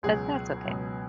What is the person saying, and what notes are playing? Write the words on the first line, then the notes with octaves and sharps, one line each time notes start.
But that's okay.
C#2 B2 F#3 G#4
C#2 B2 F#3